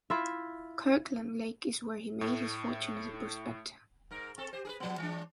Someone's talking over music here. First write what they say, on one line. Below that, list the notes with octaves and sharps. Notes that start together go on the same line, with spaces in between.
Kirkland Lake is where he made his fortune as a prospector.
E4 F4 E5
A2 A3
G#2 A#4
C4 A4
G4 C5
G#4 A#4 B4
F3 B3
E3 G#3 D4